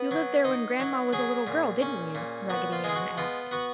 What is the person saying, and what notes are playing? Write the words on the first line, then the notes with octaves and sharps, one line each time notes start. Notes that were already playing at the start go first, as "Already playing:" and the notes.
"You lived there when Gran'ma was a little girl, didn't you?" Raggedy Ann asked.
Already playing: B3 B4
F#3
D#4
F#3
F#3 G#4
A#2
C#4
A#2
B3 F#4
F4
G#3 G#4
F#4
B3 F4
B3 F#4